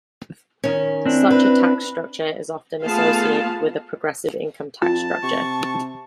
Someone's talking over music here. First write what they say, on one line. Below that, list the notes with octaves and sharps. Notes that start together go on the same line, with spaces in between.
Such a tax structure is often associated with a progressive income tax structure.
D#3 C#4
C4 D4 E4
B4
A3 B3 F4 G#4 F5 A5
F2 F4 A5
C3 C#6